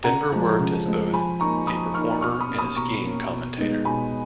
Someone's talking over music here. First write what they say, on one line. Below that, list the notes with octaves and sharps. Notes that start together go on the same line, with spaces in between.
Denver worked as both a performer and a skiing commentator.
C#3 F#5 A#5
F3 G#3
C#3
F3 G#3
F3 G#5 B5
A#3 D#4 A#5 C#6
F3 B5 D#6
A#3 D#4 C#6 F6
B2 C#6 F6
B5 D#6
A#3 C#4
B5 D#6
B2 A#5 C#6
A#3 C#4
B2
G#3 B3 D#4
B2 G#5 B5